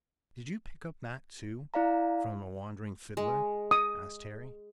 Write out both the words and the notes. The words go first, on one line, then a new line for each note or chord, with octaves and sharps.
"Did you pick up that, too, from a wandering fiddler?" asked Harry.
E4 D5 F5 A#5
G#3
D#6